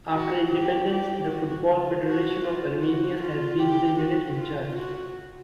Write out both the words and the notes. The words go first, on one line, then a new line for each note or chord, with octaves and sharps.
After independence, the Football Federation of Armenia has been the unit in charge.
F#4
G4
G4
F#4
F4
F#4
F4
F#4
F4
G4
F#4
F4
F#4